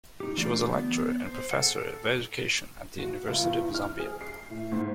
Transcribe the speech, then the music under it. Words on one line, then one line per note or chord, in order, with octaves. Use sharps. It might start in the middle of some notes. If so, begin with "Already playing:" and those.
She was a lecturer and professor of education at the University of Zambia.
D#4 G4
D3 E3 A3 F4 G4 D5
B3
C5
G#4 A4 F#5
A4
F#4
C#2
E2
F6
G#4
C7
A2
G#2